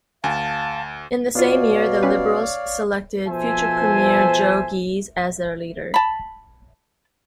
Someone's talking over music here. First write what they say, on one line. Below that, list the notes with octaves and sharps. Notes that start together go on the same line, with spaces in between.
In the same year, the Liberals selected future premier Joe Ghiz as their leader.
D2 D4 F5 G#5 A5
B2 B3 F4 C#5 D5 F5
G3 C#4 B4
B2 F3 A4 C5 E5 G#5
A5 B5